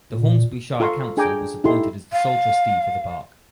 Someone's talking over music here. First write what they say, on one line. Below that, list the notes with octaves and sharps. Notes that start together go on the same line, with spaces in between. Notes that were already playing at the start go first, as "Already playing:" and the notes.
The Hornsby Shire Council was appointed as the sole trustee for the park.
A#2
F4 A4 F5 A#5 C6 C#6
D4 G#4 G5 G#5 A#5 D6
D#4 E4 G4 A4 C6
F5